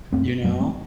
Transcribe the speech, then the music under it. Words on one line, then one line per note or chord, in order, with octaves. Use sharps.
you know?
F#2 A3 C4
F#2 F#3 A3
A3 C4